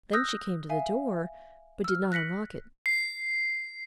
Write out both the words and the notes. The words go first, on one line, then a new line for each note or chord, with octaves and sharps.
Then she came to the door, but did not unlock it.
D#6 E6 F#6 G6 A#6
E5 F5 G#5
E6 F6
F#6 A#6 B6 C#7 F#7
C7